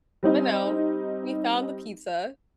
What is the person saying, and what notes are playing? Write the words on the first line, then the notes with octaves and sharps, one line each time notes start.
But no, we found the pizza,
G3 C4 D#4